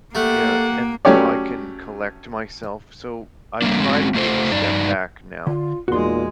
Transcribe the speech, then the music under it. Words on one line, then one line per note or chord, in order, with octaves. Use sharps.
yeah, until I can collect myself, so I try to take a step back now
A3 A#3 G4 F#5
F#3 A3 C#4 G4 C#5 D5
G3 A3 A#3 D4
G#3 C4 C#4 F#4
A3 F4 A4 C5
G2 D#4 D5
D3 F4
E2 A#2 G#3 D#4 F#4 C6